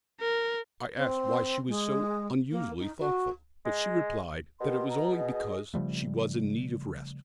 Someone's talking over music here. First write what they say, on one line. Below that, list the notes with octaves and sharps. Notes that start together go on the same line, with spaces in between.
I asked why she was so unusually thoughtful, but she replied that it was only because she was in need of rest.
A#4
C4
G#3
A#3
D#4
F#4
G#3
B2 G4 A#4 C6
A#5
G#4 D#5
C#3 F3 G3 A3